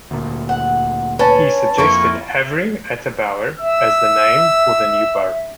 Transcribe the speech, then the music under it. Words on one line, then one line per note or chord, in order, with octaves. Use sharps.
He suggested Havering-atte-Bower as the name for the new borough.
D2 A#2
F#5
C#4 B4 A5
F2 A#3 E4 F4 C#6
E5 E6